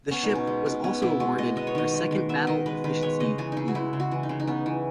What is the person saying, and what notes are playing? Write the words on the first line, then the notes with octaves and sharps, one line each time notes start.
The ship was also awarded her second Battle Efficiency "E".
B3 C#4
D#4
B2
C#4
G#3
B2
B3 C#4
B2 E4
G#3 F#4
B2 D#5
B3 D#5
C#5
D#3 D#5
G#3
D#3
B3 E5
D#3 D#5
G#3 B4
D#3 B4
G#3 C#5
C#3 D#5
E3 G#4
C#3 D#4 E4
F#4
G#3 E4
C#3
F#4
E3
D#4
C#3
D#4
B3 C#4
E3